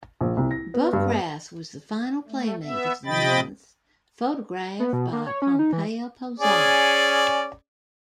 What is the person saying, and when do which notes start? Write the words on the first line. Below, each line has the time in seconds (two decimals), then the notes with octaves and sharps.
Bockrath was the final Playmate of the Month photographed by Pompeo Posar.
0.21 A#1
0.37 C2
0.51 A#6
0.74 B3
0.93 G2
1.09 B3
2.28 A3
2.64 B3 E5
3.05 C3 F3 D#5 G5 B5 A6
4.80 B3
4.93 B2
5.13 A#3
5.27 C#5
5.42 C#4
5.59 D#4
5.73 E3
6.40 C#4 G#4 D5